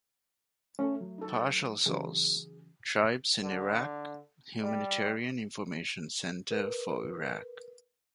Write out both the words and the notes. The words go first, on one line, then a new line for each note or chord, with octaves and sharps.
Partial source: Tribes in Iraq, Humanitarian Information Centre for Iraq.
A3 C#4 A4
F#3
D#4 A4
C#3 E3 F#3 G#4
D3
G3
A#4 B4